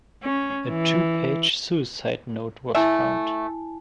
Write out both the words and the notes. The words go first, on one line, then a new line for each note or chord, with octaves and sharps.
A two-page suicide note was found.
C#4
E3
A3 E4 E5 G#5 A5